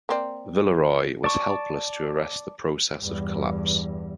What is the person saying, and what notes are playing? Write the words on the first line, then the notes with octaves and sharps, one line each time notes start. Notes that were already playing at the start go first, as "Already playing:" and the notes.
Villeroi was helpless to arrest the process of collapse.
A#3 C4 D5
D5 A5 C#6
E2 G2